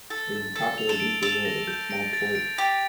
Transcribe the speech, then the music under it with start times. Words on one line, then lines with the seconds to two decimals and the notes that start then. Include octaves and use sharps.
It is a popular beach resort with a small port.
0.10 A4 A6
0.32 A6
0.56 A4 A6
0.78 F7
0.89 A4
1.00 D7
1.23 A4 F7
1.45 A#6
1.67 G6
1.91 D7
2.13 A6
2.35 D7
2.58 G4 A6